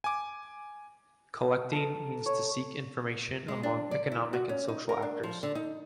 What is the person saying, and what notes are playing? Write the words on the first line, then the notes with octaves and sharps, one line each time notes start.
"Collecting" means to seek information among economic and social actors.
G#5 D6
A4 A#4
C#5
G#3
D4
D5
E4
F#4
C#4
D#4
A#4
D4
F3
D3
D#4